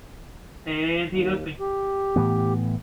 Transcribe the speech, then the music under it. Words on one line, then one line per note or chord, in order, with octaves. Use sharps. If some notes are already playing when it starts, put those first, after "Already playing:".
And he hooked me.
D#2
G4
A2 E3 B3